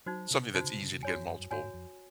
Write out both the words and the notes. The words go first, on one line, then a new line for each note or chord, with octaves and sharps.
Something that's easy to get multiple,
F#3 D#4 F#4 C5
C3
C3 D#4 F#4 C5
C#3
C3
C#3
C3
F#2 F#4 C#5 G#5
F2
F#2
F#2
G#2 F#4 C#5 G#5
G#2
F2